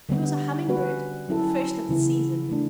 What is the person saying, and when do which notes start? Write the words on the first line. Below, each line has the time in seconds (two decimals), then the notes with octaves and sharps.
It was a humming-bird,--the first of the season.
0.09 D3 G3 B3
0.69 G3 C#4 F#4 B4
1.29 F#3 C#4 E4 A4
1.89 C#3 E3 B3 E4
2.49 E3 A3 D4